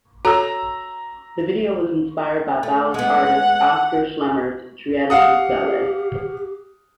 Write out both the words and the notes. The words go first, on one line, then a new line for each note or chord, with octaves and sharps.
The video was inspired by Bauhaus artist Oskar Schlemmer's Triadisches Ballett.
F#4 A4 C#5 A#5 E6
A3
G#3 B3 F#5
G4 F5 F#5 D#6